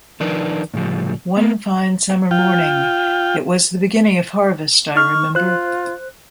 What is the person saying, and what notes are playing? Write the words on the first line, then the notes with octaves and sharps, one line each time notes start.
One fine summer morning — it was the beginning of harvest, I remember.
D#3 F3 D4 D#4 A#4 B4
A2 C#3 F3 G3
A#3 B3
F4 G5
D#4 C#6 F6
F4 C5 F#6